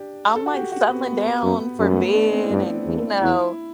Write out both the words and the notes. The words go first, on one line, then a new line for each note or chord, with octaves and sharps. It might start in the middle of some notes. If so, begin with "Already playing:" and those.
I'm like, settling down for bed and, you know
Already playing: D4 G4
A4
F#4
G4
F#4
B3
B3
F#2
F#2 A3
B3
A3
D4
C4
E4
G2 D4
E2
E2 E4